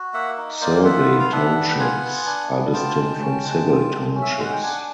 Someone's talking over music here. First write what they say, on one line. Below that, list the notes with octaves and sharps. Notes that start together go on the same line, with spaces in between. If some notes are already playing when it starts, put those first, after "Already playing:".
Survey townships are distinct from civil townships.
Already playing: F#4
A#3 E5 F#5
D#4
A#3 C5 D5
F4 E5 F#5
B3
F5
D4 E5 F#5
B3
G5
F4 F#5 G#5
B3
D4
B3
F4 G5 A5
G#3
C#4
G#3
F4
G#3
C#4
E5
F5
G#3 F#5
G5
D4 F#5 G#5